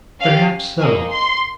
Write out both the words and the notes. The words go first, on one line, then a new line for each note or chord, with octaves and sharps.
Perhaps so.
C#4 G4 F5
A#3 D#4 G#4 G#5
C6